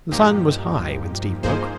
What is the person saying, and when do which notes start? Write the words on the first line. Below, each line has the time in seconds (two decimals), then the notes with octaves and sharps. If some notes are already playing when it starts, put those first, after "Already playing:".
The sun was high when Steve woke.
0.12 G2 A#2 F3 A#3 D#4 G4
0.78 G2
1.43 G2 F3 A#3 D#4 G#4 C5